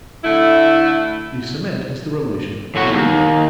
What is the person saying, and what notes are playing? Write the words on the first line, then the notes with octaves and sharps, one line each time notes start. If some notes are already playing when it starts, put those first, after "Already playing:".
The cement is the relation 'believing'.
D3 A3 E4
A2 F#4
D#2